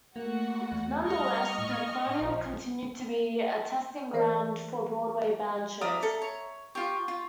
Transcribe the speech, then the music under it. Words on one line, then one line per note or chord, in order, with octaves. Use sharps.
Nonetheless, the Colonial continued to be a testing ground for Broadway-bound shows.
A3 A#3 F#4 F#5
E2
G3 D#5 C#6 F6
A2
A#1 F3
E3 A#4 C5 D5
D5 E5 F5 A#5 D#6
A4
C#5
F4 G4 C#6
F4